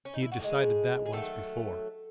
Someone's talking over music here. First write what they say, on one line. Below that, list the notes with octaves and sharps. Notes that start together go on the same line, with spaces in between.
He had decided that once before!
C#4
D#4
E4
F#4
A2 E3 G#3 G#4
G#4
D#3 F#3 A3 A4